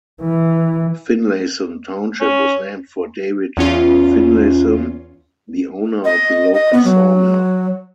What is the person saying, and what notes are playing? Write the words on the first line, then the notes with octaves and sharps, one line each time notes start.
Finlayson Township was named for David Finlayson, the owner of a local sawmill.
E3
C#4
E2 C#4 F4
D#5
D#5
B3
F#3